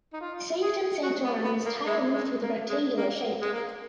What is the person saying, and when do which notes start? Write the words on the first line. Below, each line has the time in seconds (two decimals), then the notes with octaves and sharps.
The Sanctum Sanctorum is tile roofed with rectangular shape.
0.13 D#4
0.21 F4
0.62 G#4
1.03 F#4
1.24 B3
1.44 B3
1.66 A#3
1.86 G#3
2.14 G#3
2.43 A#3
2.69 G#3
2.97 A#3
3.42 G#3
3.53 A#3